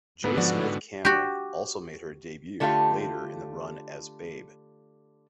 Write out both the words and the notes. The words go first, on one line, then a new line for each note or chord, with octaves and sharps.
J. Smith-Cameron also made her debut later in the run as Babe.
G#2 D3 B3
F3 F#4 D5
F#4 G4
D3 A3 F4 G4 F5